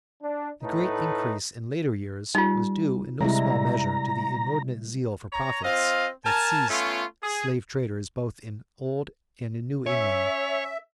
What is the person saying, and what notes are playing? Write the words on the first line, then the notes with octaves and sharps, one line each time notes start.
The great increase in later years was due in no small measure to the inordinate zeal for profits that seized slave traders both in Old and in New England.
D4
A2 A3 D#4 B4
G3 D#4 F4
C3 G3 G#3 E4 A#5
C#5 A#5
C4 F4 D#5 F5
A#4 G#5 A5
A3 B3 C#4 F4
G#4
C#4 C#5 E5